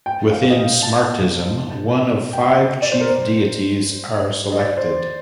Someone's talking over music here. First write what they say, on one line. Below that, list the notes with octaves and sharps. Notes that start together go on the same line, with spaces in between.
Within Smartism, one of five chief deities are selected.
G5
F5
D#5
F5
A5
G5
D#5
D5
C5
A#4
C5
D#5
D5
C5